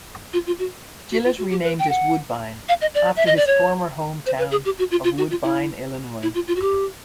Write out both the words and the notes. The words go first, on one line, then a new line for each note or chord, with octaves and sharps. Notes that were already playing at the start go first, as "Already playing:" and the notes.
Gillett renamed it Woodbine after his former hometown of Woodbine, Illinois.
F4
F4
F#4
F#4
F4
F#4
G4
B4
G5
F#5
F5
D#5
D5
E5
D#5
D5
C#5
C5
B4
G#4
G4
F#4
F4
F4
F#4
F4
E4
E4
F4
F4
F#4
G4